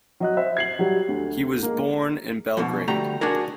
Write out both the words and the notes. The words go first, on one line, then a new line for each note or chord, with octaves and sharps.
He was born in Belgrade.
F#3 D#5 F#6
C5 E5
G#6 C7 F#7
F#3 G3
D2
G#3 A#3
F2 G#2 B2
D2 G3 A3 G4 A#5
D4 F#4 G#4 A#4